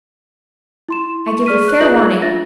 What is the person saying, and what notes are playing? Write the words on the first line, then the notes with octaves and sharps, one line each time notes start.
I give you fair warning.
E4 C6 E7
C#6
G#4 D5 C#6 F6 B6 D#7
C#5 C#6 F#6
F4 G#4 B4 E5 F#6 F#7
D4 F4 E5 A6 A#6